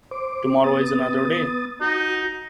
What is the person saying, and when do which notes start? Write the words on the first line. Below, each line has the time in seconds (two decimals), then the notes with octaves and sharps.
Tomorrow is another day.
0.11 C5 D6
0.64 B3 D#6 A6
1.81 D#4 F#4